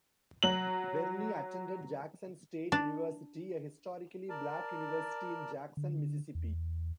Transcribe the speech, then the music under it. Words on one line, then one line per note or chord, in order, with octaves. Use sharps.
Barney attended Jackson State University, a historically black university in Jackson, Mississippi.
F#3 F#7
D4
A#4 D5 A5
D3
E2